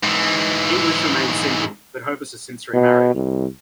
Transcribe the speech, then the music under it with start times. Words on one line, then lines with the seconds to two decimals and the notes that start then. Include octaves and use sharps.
English remained single, but Hovis has since remarried.
0.03 G#2 E3
2.73 B2
3.15 C2